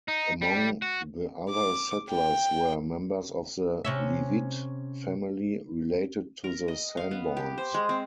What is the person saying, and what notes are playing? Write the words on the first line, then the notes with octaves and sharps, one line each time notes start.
Among the other settlers were members of the Leavitt family, related to the Sanborns.
D#4
G3
F#4
D6
G5
C3 C#4 E5
A#4
D#5
F5
B3
G4
C5
G#3
C4